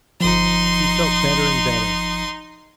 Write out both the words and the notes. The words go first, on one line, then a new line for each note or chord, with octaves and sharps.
He felt better and better.
G1 F3 D#4 C6